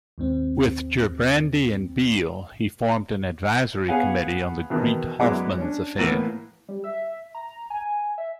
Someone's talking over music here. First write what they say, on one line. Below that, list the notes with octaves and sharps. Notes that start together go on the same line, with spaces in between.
With Gerbrandy and Beel, he formed an advisory committee on the Greet Hofmans affair.
D#2 G#2 C4
B3 G#4 C#5 F5 F#5 G#5
E2 B2 D#3
F#2 G#3 B3 E4 D5 D6
C#4 D4
A2 E3 A#3 B3
G3
E5
A#5
G#5
E5